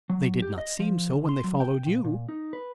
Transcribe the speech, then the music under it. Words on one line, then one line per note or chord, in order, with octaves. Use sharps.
"They did not seem so when they followed you."
F#3
G4
D#5
F3
D2
C6
F#3
G5
A#2
A#2
D#4
B4